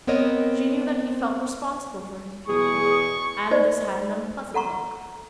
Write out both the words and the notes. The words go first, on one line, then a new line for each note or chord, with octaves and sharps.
She knew that he felt responsible for his pupils, and this had an unpleasant look.
B3 C4 A#4 C#5 D#5
E2 B2 G#4 C#6
D#4 C5 D5 D#5
A4 F#5 A#5 C#6